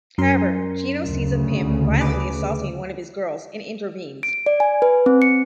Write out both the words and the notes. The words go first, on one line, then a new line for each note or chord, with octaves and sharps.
However, Gino sees a pimp violently assaulting one of his girls and intervenes.
F#2 A#4 C6
D2 C#3
G#4 B4 D6
D7
D5
G#5
B4
C4
C#7